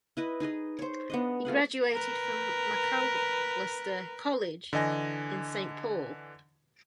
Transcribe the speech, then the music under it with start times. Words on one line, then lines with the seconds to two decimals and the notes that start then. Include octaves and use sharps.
He graduated from Macalester College in Saint Paul.
0.17 E4 B4 D#5
0.40 D#4 G#4 B4 D#5
0.79 C5 C#5
1.10 B3 D4 D#5
1.45 A3 F4 G#4 F#5
1.92 A#4 B4
4.73 D3 E3 D#5 G#5 A#6